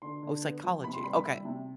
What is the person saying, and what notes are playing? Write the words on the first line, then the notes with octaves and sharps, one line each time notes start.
Oh, psychology. Okay,
D3 C6
D3
B3
F3
C3 B5
C6
G3 B5
B5
G3 E5
C3